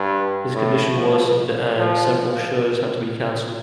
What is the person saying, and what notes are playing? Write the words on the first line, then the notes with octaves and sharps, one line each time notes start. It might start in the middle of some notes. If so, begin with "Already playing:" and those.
His condition worsened and several shows had to be canceled.
Already playing: G2
A2
F3
F3